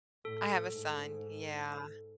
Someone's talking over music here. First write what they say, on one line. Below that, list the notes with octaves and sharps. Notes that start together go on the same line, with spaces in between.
I have a son. Yeah.
A2 A4
G#2